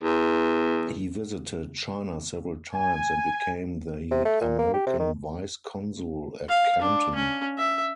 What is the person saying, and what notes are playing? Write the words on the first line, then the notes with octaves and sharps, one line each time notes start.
He visited China several times and became the American vice consul at Canton.
E2
G#5
C3
A3
A#2
A#3
G4
C3
D#3
F5
D4
C#4
E5